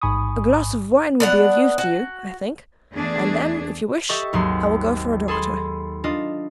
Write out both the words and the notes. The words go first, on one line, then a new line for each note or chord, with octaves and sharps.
"A glass of wine would be of use to you, I think, and then, if you wish, I will go for a doctor."
A1 G#2 G#5 B5 C#6 D#6
B3 D4 F#5
F#4
E2 A3 D4 G#4
G4 A4 D#5 E5 C#6
G#1 D#2 F#3 G#4 C6
G#4 A4 B5 C6
D4 F4 D#5